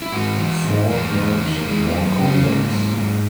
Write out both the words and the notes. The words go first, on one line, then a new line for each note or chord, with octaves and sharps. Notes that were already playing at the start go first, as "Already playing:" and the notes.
Forehead more convex.
E4
G#2 F#4
E3
G#2
E2 A#3
E2
D#3
A#3
E3 G#3
A#3
F#2
B3
C#3
C#4
G#2 A#3
G#2
G#2